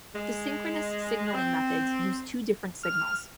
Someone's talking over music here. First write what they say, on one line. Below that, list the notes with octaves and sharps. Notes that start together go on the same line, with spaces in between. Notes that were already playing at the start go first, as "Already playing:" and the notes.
The synchronous signalling methods use two different signals.
G#3
C4
F6